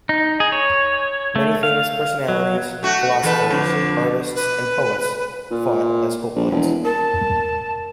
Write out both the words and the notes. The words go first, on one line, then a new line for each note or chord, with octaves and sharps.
Many famous personalities, philosophers, artists, and poets fought as hoplites.
D#4
G#4
C#5
A3
F5
F#3
A3 F#4
E2 A4 B4
F2 D3
B4
A#2
A#1
E1
A#4 A5